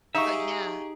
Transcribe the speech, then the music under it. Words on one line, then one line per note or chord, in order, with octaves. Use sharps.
So yeah.
D#4 G4 G#4 E5 F5 A#5 C#6